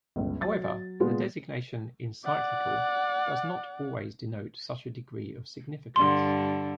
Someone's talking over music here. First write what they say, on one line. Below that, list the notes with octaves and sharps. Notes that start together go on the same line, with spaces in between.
However, the designation "encyclical" does not always denote such a degree of significance.
G1 C#2
F#3 A6
A#2 G#3 B3 F4
D5 F#5
G2 D3 C6